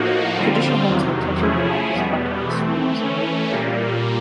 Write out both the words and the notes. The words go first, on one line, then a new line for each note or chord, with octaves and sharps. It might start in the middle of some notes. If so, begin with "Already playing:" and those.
Tradition holds that touching the Maca's buttocks brings a year of luck.
Already playing: A2 F3 A#3 D#4 F#4
D3 G3 C4 F4
E2 C3 D#3 F#3
F3 A3 C#4 E4 G#4
E2 B2 G3 B3
E3 A3 C4
E3 A3 C#4
A#2 G3 A#3